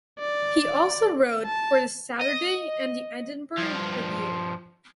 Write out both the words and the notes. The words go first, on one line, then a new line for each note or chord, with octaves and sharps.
He also wrote for the "Saturday" and the "Edinburgh Review".
D5
A5
D#5
G2 F3